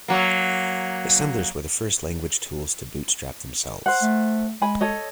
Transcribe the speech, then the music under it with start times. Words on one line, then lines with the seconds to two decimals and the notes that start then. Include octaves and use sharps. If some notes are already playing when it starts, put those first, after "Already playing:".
Assemblers were the first language tools to bootstrap themselves.
0.08 F#3 A#3
3.86 C5 F#5
4.02 A3
4.62 G#3 G#5 B5
4.81 A4 C#5 D#5